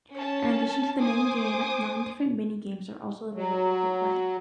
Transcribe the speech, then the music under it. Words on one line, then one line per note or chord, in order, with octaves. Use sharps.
In addition to the main game, nine different mini-games are also available for play.
C#4 A5
C5 G#5 D6 D#6
F#3